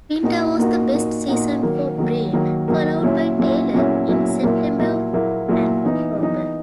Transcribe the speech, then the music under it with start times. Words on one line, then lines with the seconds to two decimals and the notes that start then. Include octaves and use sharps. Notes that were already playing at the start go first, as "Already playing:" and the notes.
Winter was the best season for bream, followed by tailor in September and October.
0.23 A#2 A#3 D#4 F#4
0.58 A#2 A#3 D#4 F#4
0.93 A#2 A#3 D#4 F#4
1.28 A#2 A#3 D#4 F#4
1.63 D#3 F#3 A#3
1.98 D#3 F#3 A#3
2.33 D#3 F#3 A#3
2.68 D#3 F#3 A#3
3.03 A#2 F#3 C#4 E4
3.38 A#2 F#3 C#4 E4
3.73 A#2 F#3 C#4 E4
4.08 A#2 F#3 C#4 E4
4.43 A#2 F#3 A#3 E4
4.78 A#2 F#3 A#3 E4
5.13 A#2 F#3 A#3 E4
5.48 A#2 F#3 A#3 E4
5.84 E3 B3 D#4
6.18 E3 B3 D#4